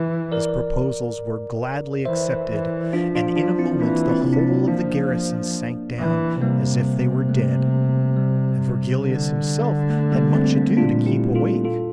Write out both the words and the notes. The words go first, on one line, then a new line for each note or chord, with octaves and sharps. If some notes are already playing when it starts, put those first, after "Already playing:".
His proposals were gladly accepted, and in a moment the whole of the garrison sank down as if they were dead, and Virgilius himself had much ado to keep awake.
Already playing: E3
A#4 D5
E3 C5 E5
E3
F3 D4 F4
D4 F4
D4 F4
C4 E4
E3 A#3 D4
C4 E4
C3
D4
C4 E4
F3 A#3 D4
E3
C3 G3 A#3
A3
G3
D3
A3
G3 A#3
A3 C4
C4
A#3 D4
A#2 D4 F4
E4 G4
F4 A4
F4 A4